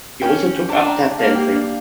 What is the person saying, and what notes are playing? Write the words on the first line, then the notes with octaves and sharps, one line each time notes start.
He also took up tap dancing.
C#4 G5
D4 A5
A#5
A5
A#3 F5
G4
D4